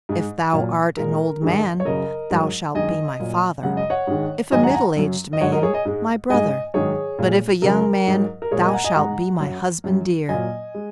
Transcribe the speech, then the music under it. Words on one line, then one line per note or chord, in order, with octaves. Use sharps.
If thou art an old man, thou shalt be my father; if a middle-aged man, my brother; but if a young man, thou shalt be my husband dear.
G#2 G#3
A#2 F#3
A#2 G#3 A#4
G#2 D#3 G#3
C#5
F#2 C#3 F#3 A#4 D#5
G#2 F#3
F#2 D#3 G#3 D#5 G#5
A#2 F#3
F#2 C#3 G#3 F#5
D#5
C#5 F#5
G#2 D#3 G#3
G#2 D#3 F#3 D#5 G#5
F#5 A#5
G#5
F#5 A#5
F#2 F#3
D#5
G#2 F#3 C#5 F#5
A#4 D#5
G#4 C#5
D#5 G#5
G#2 G#3
G#2 G#3 D#5 G#5
G#2 D#3 F#3 G#4 C#5
A#2 G#3
F#2 C#3 F#3 A#4
G#2 F#3
A#4
A#2 G#3 G#4 C#5
A#4 D#5
G#5
F#5 A#5
D#5 G#5
G#2 G#3 F#5 A#5
F#2 F#3
F#2 F#3
A#2 F#3 D#5 G#5
G#3